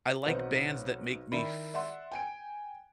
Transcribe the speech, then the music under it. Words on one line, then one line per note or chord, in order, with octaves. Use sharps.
I like bands that make me f
B1 C4 D#4 B4 F#5
D#3 E4 A#4 D5 B5
D5 E5 F#5 C6
G5 G#5 D7